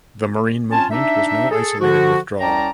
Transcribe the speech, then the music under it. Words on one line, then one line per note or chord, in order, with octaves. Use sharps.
The Marine movement was no isolated withdrawal.
C4 C#4 F4 G#5 A5
D4 D#4 E5
G#4 A4
D3 F3 F#4
C2 C#4 D5 G5 A5 A#5